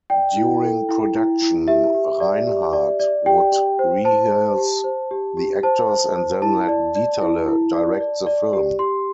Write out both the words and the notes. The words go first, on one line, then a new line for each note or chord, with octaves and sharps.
During production, Reinhardt would rehearse the actors and then let Dieterle direct the film.
D5 G5
E4
A4
E4
E4
E4
G4 E5
G4
D5
G4
D5
D5
G4 G5
G4
C5
C5 A5
C5
G4
C5
G4
G4
C5 A5
C5
C5
E4 A5
D5
D5
E4
E4
D5
D5
D5
G4
G4 C6